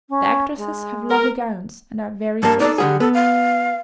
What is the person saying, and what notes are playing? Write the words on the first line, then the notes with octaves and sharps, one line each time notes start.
The actresses have lovely gowns, and are very graceful.
C#4
G#3
A#4
G2 A#3 A5
D#4 A4 D5
D3 G3 G#4 F#5
B3 A4
F5